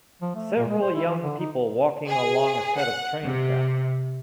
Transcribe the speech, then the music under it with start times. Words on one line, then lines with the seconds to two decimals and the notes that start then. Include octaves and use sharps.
Several young people walking along a set of train tracks.
0.22 F3
0.35 A3
0.57 A#2
0.68 G#3
0.82 C5
0.95 E4
1.08 E3
1.22 D3
1.39 D#4
2.09 G#4
2.77 F#5
3.23 C3